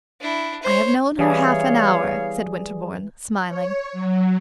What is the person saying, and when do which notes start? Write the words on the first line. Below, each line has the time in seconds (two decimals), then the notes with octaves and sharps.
"I have known her half an hour!" said Winterbourne, smiling.
0.21 D4 E4
0.63 C5 C#5
1.19 E3 G3 B3 G#4 C#5 D5 F5
3.46 C#5
3.93 F#3